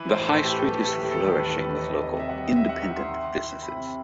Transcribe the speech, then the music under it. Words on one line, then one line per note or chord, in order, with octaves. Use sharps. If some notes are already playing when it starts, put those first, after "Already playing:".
The high street is flourishing with local, independent businesses.
Already playing: E3 B4
C5
A2
A4
A2 G4
A4
E3 G4
A4
D#2 G4
A4
D#3 G4
B4
D#2 A4
D#2 D#5
C3 D#5
E5
G3 F#5
D#5
D#3 E5
F#5
D#3 E5
C6
D#3
E4
C3 B5